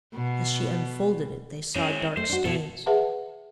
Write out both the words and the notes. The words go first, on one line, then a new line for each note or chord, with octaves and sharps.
As she unfolded it they saw dark stains.
B2
G#3 C4 C#4 E4
A3 C5
D4 F#4
B2 E4 A4
G#4 B4 E5 F#5 A5